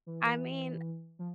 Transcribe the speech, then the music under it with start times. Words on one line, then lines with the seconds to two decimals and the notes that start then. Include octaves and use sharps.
I mean,
0.06 E3
0.25 E3
1.19 F3